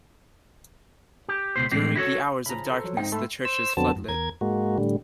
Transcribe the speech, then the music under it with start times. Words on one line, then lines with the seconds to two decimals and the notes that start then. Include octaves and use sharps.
During the hours of darkness the church is floodlit.
1.29 G4
1.56 C#2 B2 C5
1.71 A2 E3 G#3 C4 D4
1.96 E4 F#4 A4 C#5
2.46 C#3 F3 A#5 B5
2.70 A4 C5
2.84 F3 F#3
2.97 G#2 D3 C4 D#4 G5
3.12 A3 B5 C6 E6
3.45 C5 E6
3.77 F2 D3 F#3 B3 C4 A5
3.96 F#2
4.09 E2 A#4 G#6
4.41 G#2 G#3 A#3 F#4
4.78 A2 D3 G3